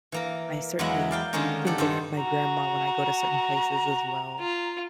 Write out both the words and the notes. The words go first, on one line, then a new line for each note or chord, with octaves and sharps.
I certainly think of my grandma when I go to certain places as well.
E3 A#3 A#4
E2 F#3 G#3 A#3 E4 F#5
D5 F5 G5
D3 D#3 G#3 A#3 C#4 D#4
G4 A4 F#5
G2 D#3 A4 C5 F#5
F#4 A#5
F4